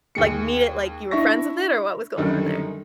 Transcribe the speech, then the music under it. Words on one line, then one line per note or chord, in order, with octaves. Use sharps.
like, meet it like you were friends with it, or what was going on there?
D#2 G#4 C#7
D4 E4 E5 C#6 A#6
F#2 D3 D#3 G3